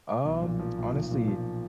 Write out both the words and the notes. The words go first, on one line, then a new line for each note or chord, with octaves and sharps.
Um, honestly
B1
A#2
F3
B1
B1
A#2
F3